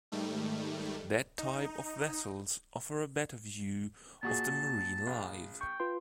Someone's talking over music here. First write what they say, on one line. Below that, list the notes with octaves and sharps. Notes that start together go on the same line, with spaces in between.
That type of vessels offer a better view of the marine life.
G#2 D#3 G3 A3
D#4
A#2 F#4 G#4 A5
A#1
G5 C#6
F4 B4 C6